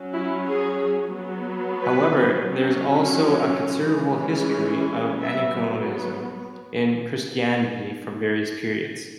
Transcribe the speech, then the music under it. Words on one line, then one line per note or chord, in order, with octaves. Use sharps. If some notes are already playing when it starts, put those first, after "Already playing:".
However, there is also a considerable history of aniconism in Christianity from various periods.
Already playing: F#3 C#4
E4
G#4
F#3 B3
B4
F#3 C#4
E3 G#3 C#4
F#3 B3 E5